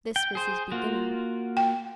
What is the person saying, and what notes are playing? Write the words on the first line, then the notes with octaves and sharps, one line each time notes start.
This was his beginning.
G5
G#4 C5
A#3 F4 F#4
G5